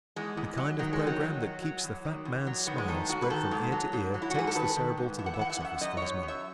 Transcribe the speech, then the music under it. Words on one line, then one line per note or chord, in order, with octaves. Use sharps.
The kind of program that keeps the fat man's smile spread from ear to ear takes the Cerebral to the box office for his money.
E2 G#3
E2
F#3
D#3 F#3
G#3
D#3
F#3
F#3
F#3
F#3
E2
D#3
E2
F#3
D#3 B3
G#3
D#3 A3
G#2 F#4
B4
D#3 A4
G#2
F#3
G#2
F#3
E4
F#4
G#2 G#4
A4
D#3 B4
D#3
G#2
E3 E5
F#5
E5
E3 F#5
E5
F#5
F#2 E5
F#2 D#5
C#5
F#2
F#2
E5